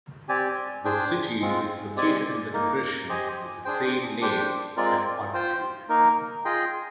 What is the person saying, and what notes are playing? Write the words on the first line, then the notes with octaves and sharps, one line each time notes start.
The city is located in the depression with the same name, at altitude.
C4 G4 D5 G#5
D4 G#4 C5 G5
G#3 C4 F4
G#3 C4 G4 D5 G#5
A#3 D#4 A#4
G4 C5 D#5 G#5
D4 G#4 C5 G5
D4 G4 C5 G5
G#3 C4 F4 A#4 D5
F4 C5 G5
A#3 D#4 A#4
F4 G#4 D#5 G5